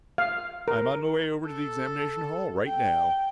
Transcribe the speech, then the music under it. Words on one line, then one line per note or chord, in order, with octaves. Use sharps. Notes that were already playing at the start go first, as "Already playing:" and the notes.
"I'm on my way over to the examination hall right now."
F5
A#4
A4
G5